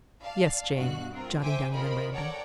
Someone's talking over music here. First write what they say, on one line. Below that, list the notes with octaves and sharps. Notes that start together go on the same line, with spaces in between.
"Yes, Jane," jotting down the memorandum.
D5 F5 A5
G2 B2 F#4 F5 F#6
C4 F4 A#4
C5 E5 G5 G#5 D6
F4 A#4 C5 D#5 B5
A4 C#5 D5 F#5 G5 A#5